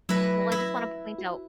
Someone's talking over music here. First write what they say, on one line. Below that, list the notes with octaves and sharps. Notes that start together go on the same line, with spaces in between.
well, I just wanna point out
F#3 A3 E4 B4 A#6
E4
F#4